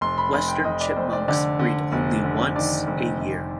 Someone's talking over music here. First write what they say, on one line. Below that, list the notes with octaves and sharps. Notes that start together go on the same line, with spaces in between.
Western chipmunks breed only once a year.
F1 C6
B5
F1 B5
G5
F1 D#5
D5
F1 C5
D5
D3 D5
D3
F1
D3
D#3 D5
F1
F1